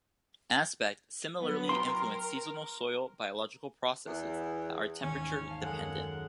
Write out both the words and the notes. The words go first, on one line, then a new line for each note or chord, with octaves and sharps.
Aspect similarly influence seasonal soil biological processes that are temperature dependent.
F#3 B3
A#4 G5 C6
E2
E6
G#1 D#2 D#3 C#4
F5 A5
F#2 F#3 G#3 A4 A#4 F#5